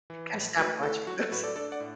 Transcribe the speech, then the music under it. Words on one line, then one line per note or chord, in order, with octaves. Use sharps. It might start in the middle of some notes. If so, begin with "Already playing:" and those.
Gotta stop watching those.
E3
A2
A3 F#4 B4
E4 A4
F#3 F#4
A4
A2 F#4 B4
A4 D5
D4 A4 D5
D5 F#5
A2